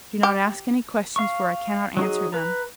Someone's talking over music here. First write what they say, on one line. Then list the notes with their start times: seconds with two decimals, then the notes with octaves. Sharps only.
Do not ask any questions, for I cannot answer them.
0.23 G4
1.16 F5 C#6
1.97 F#3 D#4 G#4
2.32 B4 A#5